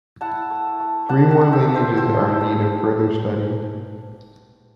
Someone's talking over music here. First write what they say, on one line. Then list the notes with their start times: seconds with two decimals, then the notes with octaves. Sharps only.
Three more lineages are in need of further study.
0.21 E4 F#5 A5
0.50 A3
0.80 A3
1.09 D4 F#5 A5
1.31 F#5 A5
1.39 D4
1.53 E5 G5
1.68 B3
1.75 C5 E5
1.97 G3 C5 E5
2.26 G3
2.41 E5 G5